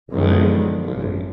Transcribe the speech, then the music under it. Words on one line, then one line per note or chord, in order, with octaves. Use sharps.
Right, right.
F#2 D3 D#3 F3 G#3 B3
G#1 F#2